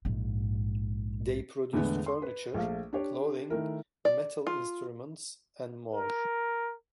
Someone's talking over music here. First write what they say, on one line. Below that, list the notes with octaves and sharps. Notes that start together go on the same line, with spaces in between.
They produced furniture, clothing, metal instruments and more.
A#1 G#2
E2 A2 D3 G#3 B3
C6
B4
A#1 A3 F5
D4 G4 C#5
D#3 A3 E4 A#4
D5
F4
A#4